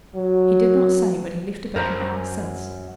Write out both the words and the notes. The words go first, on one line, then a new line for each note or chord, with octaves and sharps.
"He did not say, but he left about an hour since."
F#3
F#2 A#4 C5 A#5